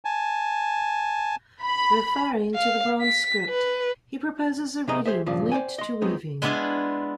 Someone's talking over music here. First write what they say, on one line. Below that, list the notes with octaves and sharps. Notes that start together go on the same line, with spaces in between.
Referring to the bronze script, he proposes a reading linked to weaving.
G#5 A5
B5
F5
B6
B4
C3 A#3 D#4 G#4 D#5 A#5
G4 G#4 C5 D#5 E5
G2 A#2 C#3 F3
C5 D5 G5 G#5
D#5 C6
F#3 G#3 B3 C4 D#4
G#3 B3 D4 E4 F4 G#4